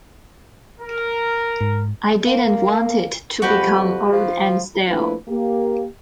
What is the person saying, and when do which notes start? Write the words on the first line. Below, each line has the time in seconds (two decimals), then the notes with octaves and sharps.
I didn't want it to become old and stale.
0.80 A#4
1.61 G#2
2.26 A#3
3.42 F2 F#4 G4 B4
4.12 F3
4.88 F3 A3 A#3 D4 E4 B4
5.28 A#3 G4